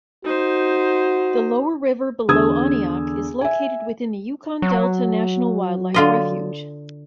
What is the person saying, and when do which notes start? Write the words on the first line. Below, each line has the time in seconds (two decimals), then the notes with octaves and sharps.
The lower river below Aniak is located within the Yukon Delta National Wildlife Refuge.
0.25 D#4 F#4 C5
2.28 E2 D3 D#6 E6 G#6
3.41 E5 G#5
4.62 F#3
5.94 D3 F4 D#5